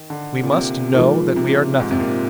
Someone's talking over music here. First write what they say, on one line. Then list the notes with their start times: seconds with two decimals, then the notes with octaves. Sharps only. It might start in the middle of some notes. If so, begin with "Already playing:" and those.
We must know that we are nothing.
Already playing: D#3
0.10 D3
0.43 A#2
0.52 C3
0.94 A#2 F3 G#3 D#4 A#4
1.36 C3
1.80 G#2
1.91 C3
2.00 A#2